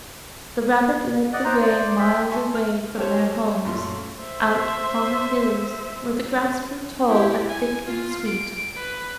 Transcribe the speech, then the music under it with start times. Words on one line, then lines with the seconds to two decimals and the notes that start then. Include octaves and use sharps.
The rabbit led the way miles away from their homes, out on the hills where the grass grew tall and thick and sweet.
1.33 D5 D#5 F#5
1.45 D#4 C5 A#5
1.62 C5 D5
1.99 E5 G5
2.31 D#5 G#5 A5 C6 C#6
2.55 F6
2.97 C#4 G4 A4 C5 C#5
3.65 F#2 A#2 A3 F4 C6
4.20 C5 E5
7.08 E4 G4
7.49 G#5
7.86 F4
8.26 D7
8.76 B4